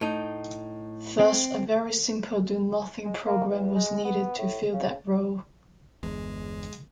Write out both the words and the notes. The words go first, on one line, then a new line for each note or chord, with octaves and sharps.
Thus a very simple do-nothing program was needed to fill that role.
A2 D#4
C4
G#3
A#3
E2
G#3
B3
A2
C#3
G1 E2 G#3